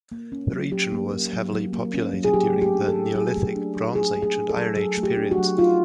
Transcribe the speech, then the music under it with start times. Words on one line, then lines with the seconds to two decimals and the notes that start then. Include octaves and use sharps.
The region was heavily populated during the Neolithic, Bronze Age and Iron Age periods.
0.12 A#3
0.32 C#4
0.53 F#3
0.72 F#3 G4
0.92 A#3
1.12 C#4
1.33 F#3
1.53 F#3
1.73 A#3
1.94 C#4
2.13 F#3
2.24 G#4
2.33 F#3 G4
2.54 A3
2.62 G4
2.75 D4
2.88 A4
2.95 F#3
3.15 F#3 G#4
3.36 A3
3.56 D4
3.76 F#3
3.95 F#3 G#4
4.16 A3
4.22 G#4
4.37 D4
4.50 A4
4.56 F#3
4.76 F#3 G#4
4.97 A3
5.03 G4
5.17 D4
5.31 F#4
5.38 F#3
5.58 D#4 F4